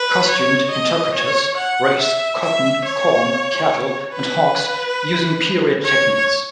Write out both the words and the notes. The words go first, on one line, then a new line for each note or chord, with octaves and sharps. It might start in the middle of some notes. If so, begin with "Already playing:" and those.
Costumed interpreters raise cotton, corn, cattle and hogs using period techniques.
Already playing: B4
C#5
D#5
C#5
F#5
E5
E5
C#5
B4
C#5